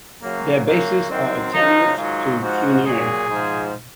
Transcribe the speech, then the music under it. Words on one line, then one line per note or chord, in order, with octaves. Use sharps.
Their bases are attenuate to cuneate.
F#2 C#3 F#3 A#3
F#2 C#3 F#3 A#3
F#2 D#3 F#3 C4
F#2 C#3 F3 D#4
G#2 D#3 F#3 F4
G#2 F3 F#4
A#2 F#3 G#4
G#2 F3